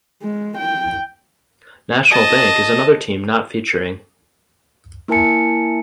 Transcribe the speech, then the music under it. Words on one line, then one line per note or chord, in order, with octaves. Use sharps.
National Bank is another team not featuring.
G#3
G5
D#5 A5
A#3 E4 A#4 G#5 A5 C#7